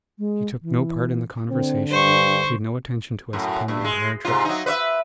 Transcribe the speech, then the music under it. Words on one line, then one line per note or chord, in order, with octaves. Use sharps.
He took no part in the conversation; paid no attention to us upon the entire trip.
G#3
E3
D3 C4
G2 C5 C#6
F#2 A2
G2
G#3
G#2 C3 F4
F#3 D#4
B4 C#5 E5